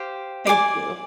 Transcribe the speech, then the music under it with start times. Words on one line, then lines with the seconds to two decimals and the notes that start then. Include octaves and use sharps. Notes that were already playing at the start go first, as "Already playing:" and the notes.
Thank you.
Already playing: G4 C5 F5
0.47 D5 G#5 D6